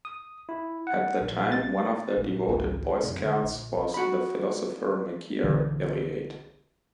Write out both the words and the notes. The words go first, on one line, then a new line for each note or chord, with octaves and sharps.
At the time, one of the devoted Boy Scouts was the philosopher Mircea Eliade.
D#6
E4
F#5
A#1
A6
A#1
G#1 C#2
F#2 C3
D3
A#1
F#4 B5
B1 D3 E3